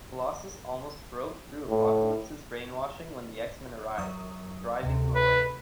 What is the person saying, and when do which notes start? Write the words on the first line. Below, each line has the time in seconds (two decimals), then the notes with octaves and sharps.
Colossus almost broke through Apocalypse's brainwashing when the X-Men arrived, driving him away.
1.69 A2
3.98 F#2 F#3 D#6
4.83 D2 C3
5.16 B4